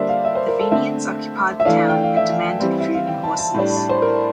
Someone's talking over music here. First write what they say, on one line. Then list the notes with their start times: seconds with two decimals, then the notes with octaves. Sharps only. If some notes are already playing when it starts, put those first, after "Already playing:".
The Fenians occupied the town and demanded food and horses.
Already playing: D3 G3 A#3 D4 C5 E5
0.09 F5
0.25 E5
0.35 C5
0.48 A#4
0.60 A4
0.71 D3 A3 C4 E5
1.60 E5
1.65 E3 A3 D4 F5
1.89 G5
2.03 F5
2.16 E5
2.31 F5
2.60 E3 G3 C4
2.80 E5
2.94 F5
3.07 G5
3.24 A5
3.39 A5
3.55 A2 G3 D4
3.76 D5
3.89 C5
4.02 A#4